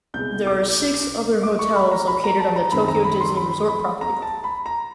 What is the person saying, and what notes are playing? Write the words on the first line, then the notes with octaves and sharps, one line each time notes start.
There are six other hotels located on the Tokyo Disney Resort property.
C2 B2 G#3 G6
D6
D6
C#6
B5
A#5
B5
A#5
A5
A#5
F#2 D#3 G#3 C4 B5
A#5
B5
C6
B5
B5
A#5
A5
B5
A#5